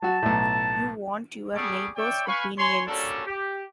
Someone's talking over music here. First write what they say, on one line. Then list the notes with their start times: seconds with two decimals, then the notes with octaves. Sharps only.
You want your neighbours' opinions.
0.02 F#3 F#4 A5
0.22 B1 A2
1.55 G3 B3 G#4 A4 C#6 D6
1.96 C#5 D5 E5 G5
2.26 B4 F5 G#5 B5 C#6
2.58 C#5 G#5 B5 C6
2.87 G3 A#3 C#4 D4 F#4 A4
3.26 G4